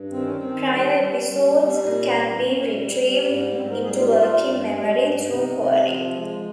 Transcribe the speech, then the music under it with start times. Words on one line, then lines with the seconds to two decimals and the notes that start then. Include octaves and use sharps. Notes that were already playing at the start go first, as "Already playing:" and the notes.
Prior episodes can be retrieved into working memory through query.
Already playing: G2
0.11 D#3 C4
0.24 C#4
0.36 D#3 C4
0.68 G3
0.96 G3
1.25 G3 C#4
1.46 A#3
1.55 G3 C#4
1.64 C4
1.83 A#2 D#4
2.02 C#4
2.12 A#2
2.21 C#4
2.40 A#2 C#4
2.69 G3
2.98 G3
3.27 G#2
3.51 A#3
3.56 G#2 C4
3.71 A#4
3.84 G3 G#4
3.99 F4
4.07 G4
4.13 G3 F4
4.42 G2
4.71 G3
4.99 G2
5.28 C3 D#4
5.57 C3
5.86 F3
6.15 G#3